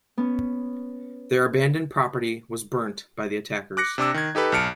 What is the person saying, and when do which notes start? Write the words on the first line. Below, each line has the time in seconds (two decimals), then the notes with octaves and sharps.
Their abandoned property was burnt by the attackers.
0.18 B3 C#4
3.77 D6 F#6 A#6 C#7
3.98 C3 D4 D6 E6
4.14 D#3 G#6
4.35 D#4 G4 A4 B4
4.52 B1 A5 F6 C#7 D7